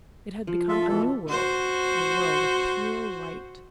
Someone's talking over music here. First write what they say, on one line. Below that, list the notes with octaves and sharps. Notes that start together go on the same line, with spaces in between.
It had become a new world, a world of pure white.
F3
F4 A4 E5
B2 E3 A4
F#4 C5